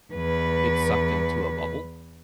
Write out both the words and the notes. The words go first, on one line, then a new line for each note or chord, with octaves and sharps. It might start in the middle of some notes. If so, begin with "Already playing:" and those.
get sucked into a bubble.
E2 B4